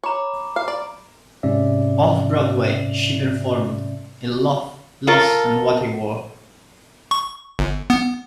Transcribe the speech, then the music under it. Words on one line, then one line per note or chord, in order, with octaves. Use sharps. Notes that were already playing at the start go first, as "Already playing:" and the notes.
Off-Broadway, she performed in "Love, Loss, and What I Wore".
C#5 A#5 B5 D6
F5
D5
G#2 C3 C#4 D5 E5
F4 A4 A#4
C#6
G1
B3